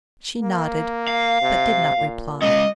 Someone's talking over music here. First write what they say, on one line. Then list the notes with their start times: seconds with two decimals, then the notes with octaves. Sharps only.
She nodded, but did not reply.
0.42 A#3
1.07 F5
1.42 C3
1.97 A#2
2.42 G#3 C#4 D#5